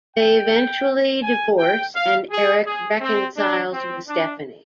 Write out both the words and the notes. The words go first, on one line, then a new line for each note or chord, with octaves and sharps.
They eventually divorce and Eric reconciles with Stephanie.
G5
G#5
G5
F5
G#4
G#4
C4
D4
C4
D4